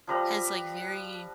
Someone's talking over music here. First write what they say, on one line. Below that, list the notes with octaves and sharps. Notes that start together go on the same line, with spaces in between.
has like, very,
F3 G3 B4 A#5